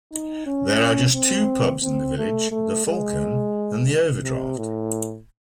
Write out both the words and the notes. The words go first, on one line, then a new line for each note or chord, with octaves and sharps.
There are just two pubs in the village: "The Falcon" and "The Overdraught".
D#4
C#4
C4
C4
A3
A3
G#3
C3
A2